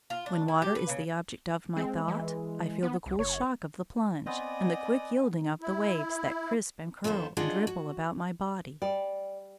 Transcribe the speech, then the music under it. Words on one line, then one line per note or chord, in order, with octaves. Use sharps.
When water is the object of my thought, I feel the cool shock of the plunge and the quick yielding of the waves that crisp and curl and ripple about my body.
F4
D4
E4
G4
B4
C#3
G#3 C4
E3
B3
C2
F#1 C#5
B3 C4 D5 D#5 G#5 D#6
E4
D#2 D3 F3 B3 C5
D4 F4 G#4 D5 D#5 F#5
F#4
G3 D5